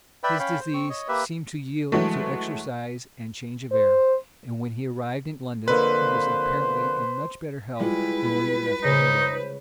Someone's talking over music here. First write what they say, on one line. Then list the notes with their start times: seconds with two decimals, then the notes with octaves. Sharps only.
His disease seemed to yield to exercise and change of air; and when he arrived in London, he was apparently in much better health than when he left Edinburgh.
0.23 B4 D5 E5 G5 B5
0.39 C#4 C#5 F5 G5 B5
0.60 C5
0.74 C4 C#6
0.90 C#5 D#5
1.08 A#3 G4 B4 E5
1.92 E3 F#3 G#3 A3
3.72 C5
5.68 F2 D3 A#3 B4 C5
7.80 G3 G#3 E4 F4 B4
8.84 C#3 D#4 C5